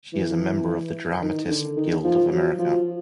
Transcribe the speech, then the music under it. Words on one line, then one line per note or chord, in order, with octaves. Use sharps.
She is a member of the Dramatists Guild of America.
E3
D#3
D3
D#3
F3
F#3
F3